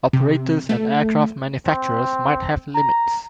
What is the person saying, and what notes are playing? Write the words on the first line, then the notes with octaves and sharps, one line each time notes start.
Operators and aircraft manufacturers might have limits.
C3
A3
C4
A#5